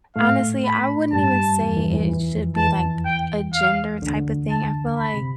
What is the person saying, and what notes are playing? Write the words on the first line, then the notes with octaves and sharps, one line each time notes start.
honestly, I wouldn't even say it should be, like, a gender type of thing, I feel like
A2 A3 F5
B5
G2 G3 A5
E2 E3
E2 E3
E2 E3
E2 E3
F2 F3
E2 E3 A5
G5
F5
D2 D3
A5
B5
C3